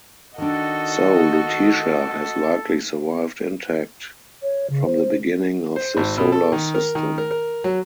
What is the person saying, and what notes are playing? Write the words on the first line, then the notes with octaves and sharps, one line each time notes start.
So, Lutetia has likely survived intact from the beginning of the Solar System.
D#3 D4 F#4 A4 D#5
C#5
C#3
C5
C5
G#1
B2
A4
D#3
A#4
D#3
A#4
A#4
F#3